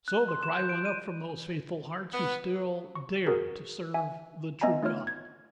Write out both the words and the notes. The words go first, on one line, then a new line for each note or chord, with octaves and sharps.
So the cry went up from those faithful hearts who still dared to serve the true God.
F#6
C6
E7
G6
D7
D#7
B3
C#6
F#4 G#4 A#4
E5 G#5
B3 D#5 E5 G#5 A#5
A3 D#4 F4 C#5 F6
G#6